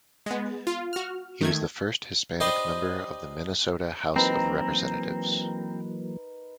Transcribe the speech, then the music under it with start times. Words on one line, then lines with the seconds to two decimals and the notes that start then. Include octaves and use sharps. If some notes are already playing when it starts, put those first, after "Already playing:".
He was the first Hispanic member of the Minnesota House of Representatives.
0.26 G#3 B3
0.67 F4
0.93 F#4 F6
1.41 D#3 A3 G#6
2.40 D4 G4 B4 C5 D#5
4.16 E3 F#3 A#3 C4 D#4 A#4 B4 A#5